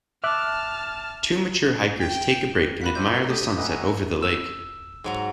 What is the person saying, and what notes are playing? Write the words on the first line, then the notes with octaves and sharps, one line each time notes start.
Two mature hikers take a break and admire the sunset over the lake.
E5 A5 D6 F6 F#6
G5
G3 A#3 F#4 B5 F#6 B6
D3 C4 D5 E5 G6 D#7
F#4 A#4 E5
A3 G4 G5 D6 D#6
D#4 B4 D#5 E5 F#5 G#5
A#5 C#6
E6
G#2 F#3 A#5